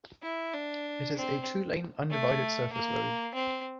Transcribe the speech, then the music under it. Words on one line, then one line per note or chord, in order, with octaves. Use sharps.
It is a two-lane, undivided surface road.
E4
D4
C4
A3
A#3
C4